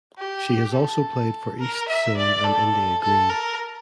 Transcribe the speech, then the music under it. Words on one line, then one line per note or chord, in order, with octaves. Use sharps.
She has also played for East Zone and India Green.
G4
A4
A#4
E5
D5
A4
A4
A#4